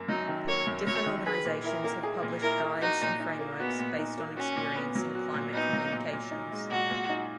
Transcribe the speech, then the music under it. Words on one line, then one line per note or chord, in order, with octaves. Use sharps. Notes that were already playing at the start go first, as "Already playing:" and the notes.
Different organizations have published guides and frameworks based on experience in climate communications.
Already playing: F#2 A#3
F#3 D#4
D#3
A#3 C#5
F#2
F#3 C#5
D#3
G#4 B4
A#2
E4 A#4
A#3
G#4
A#2
E4 A#4
A#3
D#4 F#4
A#2
D#4
A#3
B3 F#4
A#2
D#4
A#3
C#4 F#4
A#2
B3
F#3
F#4
A#2
B3 D#4
F#3
A#2
A#2
D#4
G#3
A#2 F#4
A#2
D#4